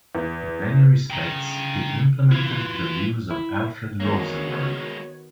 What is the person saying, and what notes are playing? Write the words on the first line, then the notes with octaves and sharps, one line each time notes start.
In many respects, he implemented the views of Alfred Rosenberg.
E2
C#3 G5 A#5
E3 E4 F4
E4
D#3 G#3 A#3 B3 F#4 C#5